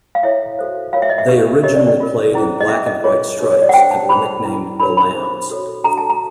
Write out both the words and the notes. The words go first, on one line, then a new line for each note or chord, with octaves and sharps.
They originally played in black-and-white stripes and were nicknamed "the Lambs".
F5
E4 A4 C#5 E5
F#4 A4 C5
F4 A#4 C#5 F5
E5
D#5
E5
D#4 G4 B4
D#4 G4 A#4 C#5 D#5
D5
D5
D4 F4 A#4
C#4 E4 G#4 C5
D#5
C#4 E4 G#4 E5
D#5
F4 G#4 C#5
D#4 G4 A#4 C#5
C#5
D5
F#5
D4 G4 C5 G5
A5
C#4 F4 G#4 C5 B5
C#4 E4 G#4 B4
D4 G4 A#4 C#5 B5
B5
D#4 G#4 C5
F#4 A4 C#5
D4 F#4 A4 A#5
A5
A#5